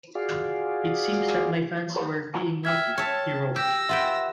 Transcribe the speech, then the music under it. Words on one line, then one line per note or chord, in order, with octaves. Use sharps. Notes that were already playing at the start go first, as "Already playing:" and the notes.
"It seems that my fans were being naughty," he wrote.
F4 F#4 G#4 D5 F5
E5 G5 F6 G#6
C#5 E5 A5
G4 E6 A#6
F4 B4 E5 F#5 G5